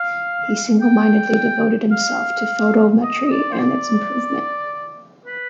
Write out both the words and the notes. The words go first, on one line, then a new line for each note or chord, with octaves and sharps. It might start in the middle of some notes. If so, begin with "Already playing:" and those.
He singlemindedly devoted himself to photometry and its improvement.
Already playing: F5
G5
F5
D#5
D#5
D5
C5
D5
B4